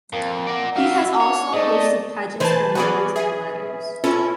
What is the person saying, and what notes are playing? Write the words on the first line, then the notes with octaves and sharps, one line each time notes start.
He has also hosted pageants for numbers and letters.
F2 A#3
A#4 D5 F#5
G3 F#4 E5 F5
D4 C#5
G#2 A3 D5 D#5
E3 B4 C5 G#5 A5
C#4 F#4 G#4 B4 D5
G#4 E5
C#4 E4 F4 A4